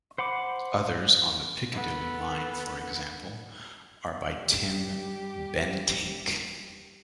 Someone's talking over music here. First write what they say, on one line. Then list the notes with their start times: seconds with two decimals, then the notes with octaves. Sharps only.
Others, on the Piccadilly line for example, are by Tim Bentinck.
0.18 C5 F#5 B5 D6
1.72 B3 A4
4.37 G3 G4